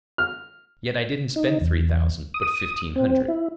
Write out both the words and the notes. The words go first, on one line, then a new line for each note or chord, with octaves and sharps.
Yet I didn't spend three thousand, but fifteen hundred.
F6
D#4
E2
D#6
C4
E4